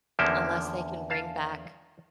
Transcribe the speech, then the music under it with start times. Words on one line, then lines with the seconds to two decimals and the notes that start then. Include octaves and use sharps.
Unless they can bring back,
0.19 E2 D3 F3 A#3 C#4 E5 G5
1.10 F5 A5